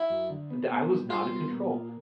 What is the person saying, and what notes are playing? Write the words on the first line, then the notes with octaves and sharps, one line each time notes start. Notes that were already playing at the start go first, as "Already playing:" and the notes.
d I was not in control.
Already playing: E4
F#2
D3
B3
B3
G3
G3 F4
B3
A#2
F4